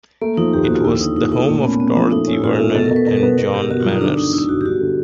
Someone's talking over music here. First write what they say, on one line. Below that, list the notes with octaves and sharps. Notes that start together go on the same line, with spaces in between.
It was the home of Dorothy Vernon and John Manners.
A3 A#3
F3 D#4
D#2 G4
F#4
D#2
F4
D#2 E4
D3 D#4
D#2 D#4
A3 D#4
A#2 A3
B3 C#4
B3 C#4
F3 D4
A3 D#4
C#4
E4
A#2 F4
A3 F4
B2 A4
A#4
B2
B4
B2 A#4
B4
B3
B2 A#4
B3 G4
B2 F#4
F4
F#3
D#4
D3 D4
G2 D#4
D3 E4
G2 F#4
G4
G2 F#4
D3